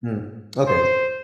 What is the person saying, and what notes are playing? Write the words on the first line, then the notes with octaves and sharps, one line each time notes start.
Mm. Okay, I see
C5